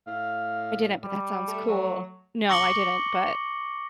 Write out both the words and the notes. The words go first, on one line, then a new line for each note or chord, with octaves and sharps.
I didn't, but that sounds cool. No. I didn't, but,
A2 F5
G3
A3
F#3
C#6 D6 A#6 C#7 F#7 G7